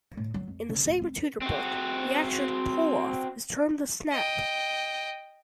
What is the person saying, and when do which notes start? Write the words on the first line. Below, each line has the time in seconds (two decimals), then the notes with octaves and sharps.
In the same tutor book, the action 'pull off' is termed the 'snap'.
0.17 A2
0.34 F#3
0.48 F2
0.69 C#3
0.86 D1
1.02 C4
1.42 C4 F#4
4.12 D#5 G5